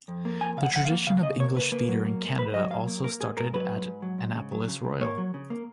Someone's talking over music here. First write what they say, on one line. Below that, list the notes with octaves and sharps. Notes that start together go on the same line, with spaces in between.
The tradition of English theatre in Canada also started at Annapolis Royal.
F2
A#3
F2 G#5
C#3 F5
F#5
F2 F#5
F5
A#3
C#3 F5
C#3 D#5
A#3 C#5
C#3 B4
A#3 B4
F#3
A#3
G#2
G#2 B4
F#3 D#5
F#3 F5
A#3
A#3 A#4
G#2 G#4
G#2 A#4
F#3 B4
G#2
G#2
F#3
G#2
C#3
F#3
C#3
C#2
A#3 C#5
F#3
C#3
A#3